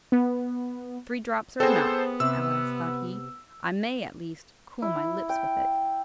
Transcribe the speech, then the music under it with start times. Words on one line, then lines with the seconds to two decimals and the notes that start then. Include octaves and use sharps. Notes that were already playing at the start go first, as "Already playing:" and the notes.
"Three drops are enough," at last thought he; "I may, at least, cool my lips with it."
0.12 B3
1.60 B3 C4 G#4 A4 C5
2.20 C3 E6
4.82 E4
5.29 G5